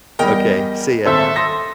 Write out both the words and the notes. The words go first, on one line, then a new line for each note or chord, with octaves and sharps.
Okay. See ya.
E2 G3 A#4 D#5 G5
D#1 G#1 A4 C5 E5
C6 D#6 A#6